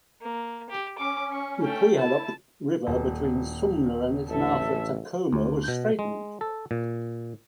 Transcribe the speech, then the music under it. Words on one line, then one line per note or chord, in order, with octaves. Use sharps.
The Puyallup River between Sumner and its mouth at Tacoma was straightened.
A#3
G4
C#4 D6
C#6
A3 G5
E4 A5
D#1
A1 A4 E5
D2
B2
G#3
A4
A#2